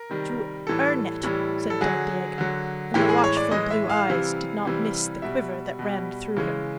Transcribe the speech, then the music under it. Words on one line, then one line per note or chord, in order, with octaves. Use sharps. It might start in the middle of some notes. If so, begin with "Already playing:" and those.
"To earn it?" said Don Diego, and the watchful blue eyes did not miss the quiver that ran through him.
Already playing: A#4
C3 D#3 G3
A2 E3 G3 A4
A2 E3 G3
A4
D3 F#3 G#4
D3 F#3
A2 E3 G#3 G4
G#4
C#5
D5
A2 E3 G#3 D#5
E5
F5
C3 E3 G3
C3 E3 G3
B2 G3 E5
B2 G3
C#3 E3 G#3